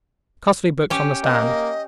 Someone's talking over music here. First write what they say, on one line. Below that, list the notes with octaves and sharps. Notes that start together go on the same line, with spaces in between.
Costly books on the stand.
C#4 G4
A#3 D#5